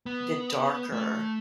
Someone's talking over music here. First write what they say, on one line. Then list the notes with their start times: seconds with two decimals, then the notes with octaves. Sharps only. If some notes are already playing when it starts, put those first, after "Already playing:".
the darker,
0.06 B3
0.92 A3